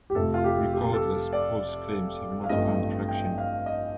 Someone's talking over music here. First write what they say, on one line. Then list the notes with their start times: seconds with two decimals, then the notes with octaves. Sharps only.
Regardless, Paul's claims have not found traction.
0.10 G4
0.15 F1 F2 C3 F3 A3 A4
0.34 F4
0.44 G4
0.73 G4
0.93 A4
1.33 D5
2.44 F5
2.49 A1 G2 F3 A3 C4 D#5
3.09 G5
3.38 F5
3.66 D#5